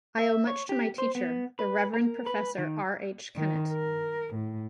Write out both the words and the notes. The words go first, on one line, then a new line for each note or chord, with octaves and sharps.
I owe much to my teacher, the Reverend Professor R. H. Kennett.
E5
C#5
G4
C5
B3
B4
A#4
B4
D#3
D#3
A#4
A2